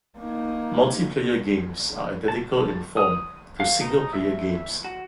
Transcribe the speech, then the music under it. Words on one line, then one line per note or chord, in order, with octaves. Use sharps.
Multiplayer games are identical in form to single player games.
A#3 D#4
A5
D#6
F5
D#4
E5
F#4